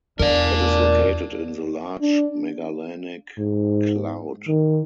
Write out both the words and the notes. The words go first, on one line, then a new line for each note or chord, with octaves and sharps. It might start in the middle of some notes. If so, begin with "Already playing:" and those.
It is located in the Large Magellanic Cloud.
E2 D4 A#4 D5
D4
G#2
D#3